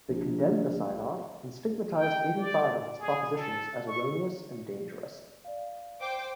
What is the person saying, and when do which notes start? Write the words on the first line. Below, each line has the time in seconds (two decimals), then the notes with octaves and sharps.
They condemned the synod and stigmatized eighty-five of its propositions as erroneous and dangerous.
0.08 A#1
1.95 G5
2.37 D5
2.99 G#4
3.35 A4
3.88 C#6
5.44 D5 F5
6.01 C5 G5 D6